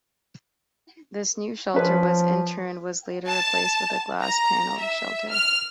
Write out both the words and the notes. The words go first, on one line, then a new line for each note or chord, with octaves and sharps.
This new shelter was in turn was later replaced with a glass panelled shelter.
F3 C#4 B4
A5
A#5
E5
F6